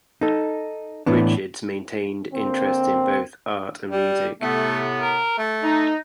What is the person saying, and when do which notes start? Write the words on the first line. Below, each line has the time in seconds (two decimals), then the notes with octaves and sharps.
Richards' maintained interests in both art and music.
0.21 D#4 A4
1.06 A2 E3 B3 D4
2.33 D3 A#3 C4
3.90 G3
4.42 A2 C3 A3 B3
5.00 A#4
5.38 A3
5.63 D#4